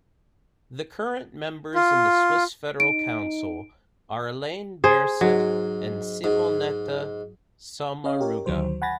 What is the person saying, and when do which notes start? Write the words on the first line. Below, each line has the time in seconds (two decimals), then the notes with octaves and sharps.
The current members in the Swiss Federal Council are: Alain Berset and Simonetta Sommaruga.
1.75 F4
2.80 D#4 D7
4.84 G#4 C5
5.21 G#2 F#3
6.24 G#2
8.04 C#4 C#5 D#5 F5
8.21 G4 A#4 C#5
8.46 D2 D#3 F#3 C5
8.82 F#5 G#5 B5 A6 A#6